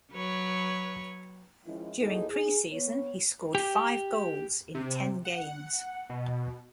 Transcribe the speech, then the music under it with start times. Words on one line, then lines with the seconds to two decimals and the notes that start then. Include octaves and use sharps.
During pre-season, he scored five goals in ten games.
0.12 F#3 B4 C#5
1.66 D#3 F3 G#3 C#4 E4
2.01 D#2 D#4 E4 F#4 G#4 A4
2.30 G#4
2.72 B3 C#5
3.55 G4
4.75 C3
5.25 F#5
6.10 B2